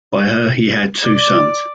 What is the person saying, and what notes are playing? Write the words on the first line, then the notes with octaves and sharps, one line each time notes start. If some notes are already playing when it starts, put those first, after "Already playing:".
By her he had two sons.
D5